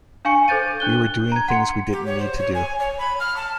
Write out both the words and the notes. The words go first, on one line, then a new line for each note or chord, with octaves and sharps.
We were doing things we didn't need to do.
D4 F5 G#5 C#6 C#7
A4 C5 G6 A6 D#7
D4 F#6 G7
A#5 G#6
F#5 C6 C#7
G4
C#5
C5
C#5
G#5
C#5
B5
F6
A5